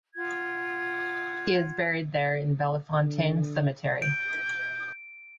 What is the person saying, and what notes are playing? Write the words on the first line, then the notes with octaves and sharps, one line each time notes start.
He is buried there in Bellefontaine Cemetery.
F4 F#5 G#6
D3
G6 D7